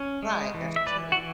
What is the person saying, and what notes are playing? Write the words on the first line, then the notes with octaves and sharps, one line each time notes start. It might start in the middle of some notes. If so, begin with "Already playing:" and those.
Right, that's true.
Already playing: C#4
G#3
E3
E5
E3 B4 D5
F#4
E3